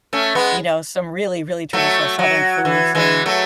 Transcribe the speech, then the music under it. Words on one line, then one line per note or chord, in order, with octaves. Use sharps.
you know, some really, really traditional southern foods, and
A3 C#4
G#3 B3
F#3 A3
F#3
E3
E3 G#3
F#3 A3